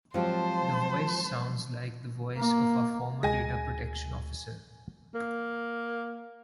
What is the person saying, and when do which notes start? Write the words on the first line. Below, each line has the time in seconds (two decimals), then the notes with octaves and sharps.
The voice sounds like the voice of our former data protection officer.
0.14 F2 G#2 F3 F#3 F4 G4 C5 A5
2.38 A#3
3.23 D2 G#3 G#5 A#6
5.14 A#3